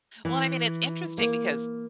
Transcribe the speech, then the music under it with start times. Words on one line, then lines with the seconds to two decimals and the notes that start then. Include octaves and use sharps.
Well, I mean, it's interesting because,
0.25 E3
1.18 A#3